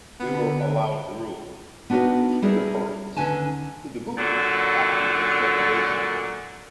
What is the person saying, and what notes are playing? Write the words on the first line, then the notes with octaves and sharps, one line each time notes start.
They were allowed to rule as feudatories to the Guptas after their subjugation.
D3 B3
B3 D4 D#4 F#4 A#4 B4
G3 E4 G#4 A#4 B4
D#2 D3 C#4 B4 G#5 A5
A#2 D3 D#3 F#3